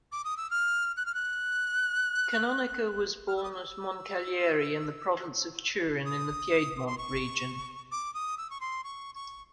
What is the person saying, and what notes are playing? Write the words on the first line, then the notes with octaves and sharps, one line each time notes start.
Canonica was born at Moncalieri in the province of Turin in the Piedmont region.
D6
D#6
E6
F6
F#6
F6
F#6
F6
E6
D#6
E6
D#6
C6
C#6
D6
D#6
E6
C#6
C6
C#6
C#6